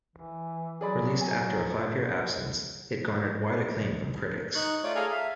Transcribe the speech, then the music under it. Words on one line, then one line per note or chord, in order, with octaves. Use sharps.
Released after a five-year absence, it garnered wide acclaim from critics.
E3
F#3 G#4 D5 B5
G#5
F4
D#4 C#6 F#6
A3 F4 C#5 D5
G#4 A4 F5 G#5 A#5
E5 F5